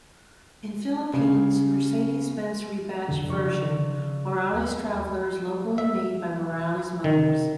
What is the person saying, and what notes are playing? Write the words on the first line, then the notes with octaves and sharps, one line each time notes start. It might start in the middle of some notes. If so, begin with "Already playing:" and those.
In Philippines, Mercedes-Benz rebadged version, Morales Traveller is locally made by Morales Motors.
C#3
C2 F2 D3
C#3 F3 D5 C#6
D#2
E5
D#3